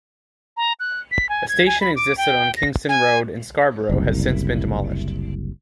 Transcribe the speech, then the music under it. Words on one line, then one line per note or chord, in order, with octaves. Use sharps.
A station existed on Kingston Road in Scarborough has since been demolished.
A#5
F#6
B6
G#5
G#6
G#5
B5
D6
G5
A#6
G#5
F#1 C2